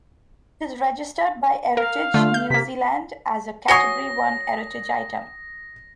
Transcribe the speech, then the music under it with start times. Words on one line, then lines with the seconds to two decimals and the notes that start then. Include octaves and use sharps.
It is registered by Heritage New Zealand as a Category One heritage item.
1.77 A#4 F5
2.14 D3 A3 F4
2.34 G6
2.50 C3 A#3 B6
3.68 F#4 C#5 G#5 D#6 A#6 C7 G7